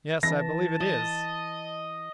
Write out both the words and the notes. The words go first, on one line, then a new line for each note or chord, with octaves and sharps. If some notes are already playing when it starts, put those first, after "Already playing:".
"Yes, I believe it is."
E3 A5 A#6
D#5